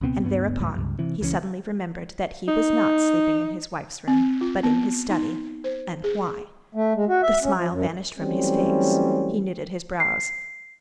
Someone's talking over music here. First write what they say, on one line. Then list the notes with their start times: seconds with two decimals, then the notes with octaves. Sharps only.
And thereupon he suddenly remembered that he was not sleeping in his wife's room, but in his study, and why: the smile vanished from his face, he knitted his brows.
0.01 C#2 B2 B3 C4
0.22 D2 G2 A#3 B3
0.59 C2 F#2 A2
0.75 C#2 G2
0.99 C3 E3
1.21 C#2 E3 F#3 C#4
2.48 D#4
4.08 C4
4.41 F4
4.63 B3
5.09 D#4
5.64 C5
6.04 G#4
6.75 A3
6.95 G#3
7.08 F#4
7.23 E5
7.43 C#4
7.57 F3
7.71 F#2
8.19 E3 F#3 G3 A3 C4 C#4
10.00 C7